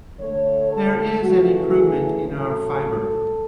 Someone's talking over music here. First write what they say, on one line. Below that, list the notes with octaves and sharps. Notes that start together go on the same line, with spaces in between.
There is an improvement in our fibre.
D3 A3 C#5
A4
C#3 E3 A3 F#4
G#4
A2 F#3 A3 A4